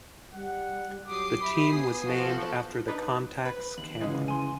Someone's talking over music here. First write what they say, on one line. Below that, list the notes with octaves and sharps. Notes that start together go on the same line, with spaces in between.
The team was named after the "Contax" camera.
G3 F#5
F#3 G4 D6 D#6 C7
E5 B5
B3 G#5
F3 F#4 A4
D4 D#4 B4
B4
D#2 F#7
D2 C#3 E3 G#3
G#5 C6